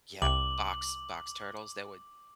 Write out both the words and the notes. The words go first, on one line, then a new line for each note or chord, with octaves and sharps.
Yeah, box box turtles that would
C2 D6 F#7